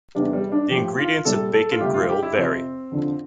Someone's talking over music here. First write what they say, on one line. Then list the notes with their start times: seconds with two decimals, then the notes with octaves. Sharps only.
The ingredients of Bacon Grill vary.
0.15 E2 C3 G3 D4
0.33 G3
0.52 D4
0.70 A2 F3 G4
0.98 F4
1.25 C2 A#2 G3 A4
1.53 A4
1.72 F4
1.80 D2 C3 G3 G4
1.94 F4
2.09 G4
2.23 E4
2.36 F2 C3 F3 C4
2.92 F2 D3 F3